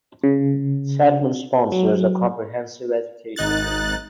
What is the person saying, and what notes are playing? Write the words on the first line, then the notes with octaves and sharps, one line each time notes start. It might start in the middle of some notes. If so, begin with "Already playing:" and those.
Satmar sponsors a comprehensive education system.
C#3
F#3
G#1 D#4 F#6 A6